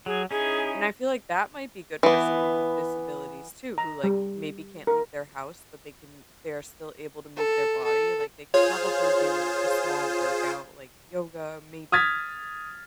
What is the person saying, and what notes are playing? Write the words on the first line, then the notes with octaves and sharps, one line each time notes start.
And I feel like that might be good for someone with disabilities too, who, like, maybe can't leave their house, but they can they are still able to move their body. Like, they could probably do a small workout, like, yoga maybe
F#3 G#4
C#4 D#4 E4 G#4
E3 B3
A#5
G3
A#4
A4
A4
F4 G#4 C5 C#5
D#6 F6 G#6 A6 B6